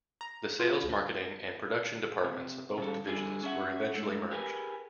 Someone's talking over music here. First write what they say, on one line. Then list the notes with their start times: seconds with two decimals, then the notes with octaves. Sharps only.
The sales, marketing, and production departments of both divisions were eventually merged.
0.21 A#5
0.60 F4
0.83 D2
2.24 C3
2.77 C#3 G3 A4
3.07 D3 G3 G#4
3.43 C#4 D4 E5 F#5
3.94 G#2 A3
4.31 G4 G#4 A#4 B4 D#5 G#5